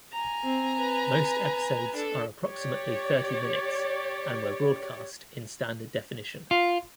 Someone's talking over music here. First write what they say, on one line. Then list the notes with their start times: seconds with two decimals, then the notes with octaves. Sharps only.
Most episodes are approximately thirty minutes, and were broadcast in standard definition.
0.13 G#5 A#5
0.44 C4
0.78 B4
1.95 D4 A4
2.46 G4 C#5 D5
6.51 F4